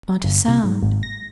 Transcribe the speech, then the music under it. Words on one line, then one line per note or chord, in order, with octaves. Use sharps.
Not a sound.
G1
C2
G#2
G#1
A#6